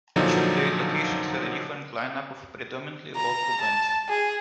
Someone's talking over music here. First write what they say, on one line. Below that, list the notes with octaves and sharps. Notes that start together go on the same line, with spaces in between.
Each of the eight locations had a different lineup of predominantly local bands.
A#2 D3 F3 F#3 D#4
A#5
A5
G#4